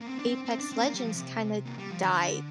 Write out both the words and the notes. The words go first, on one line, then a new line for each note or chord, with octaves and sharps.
Apex Legends, kinda, died
A#3
C4
D4
C4
C4
D4
C4
A#3
G3
F3
C3
A#3
G3
F3
D3